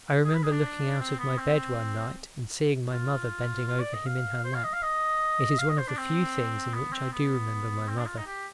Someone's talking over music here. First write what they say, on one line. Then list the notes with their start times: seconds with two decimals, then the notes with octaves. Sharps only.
I remember looking out of my bed one night and seeing my mother bending over him in her lap;--it is one of the few things in which I do remember my mother.
0.24 G#4
0.34 B4
0.43 G#4
0.52 D4
1.00 C4
1.19 B3
1.38 C4
2.92 F4
3.67 F4
3.80 D5
3.94 D#5
4.06 F5
4.45 C5
4.54 F5
4.64 D#5
4.73 F5
4.83 D#5
5.59 F5
5.69 D#5
5.78 C5
5.88 D4
5.97 C4
6.74 B3
6.93 C4
7.13 B3
7.89 C4
7.99 D4
8.07 F4
8.17 D#4
8.26 G4